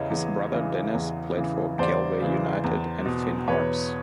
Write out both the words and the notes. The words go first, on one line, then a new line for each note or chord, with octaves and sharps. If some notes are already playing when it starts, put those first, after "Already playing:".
His brother Denis played for Galway United and Finn Harps.
Already playing: E2 C#3 E3 C#5 D#5
E2
C#3 E3
E2
C#3 E3
E2 C5 D5
C#3 E3
E2
B2
E2 B4 C#5